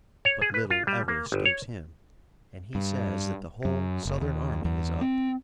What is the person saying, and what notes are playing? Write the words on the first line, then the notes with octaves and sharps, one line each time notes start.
But little ever escapes him, and he says that the whole Southern army is up.
C#5
G#4
B4
F4
G3
A#3
G1
C#5
G2
F#2
F#1
D#2
E2
C4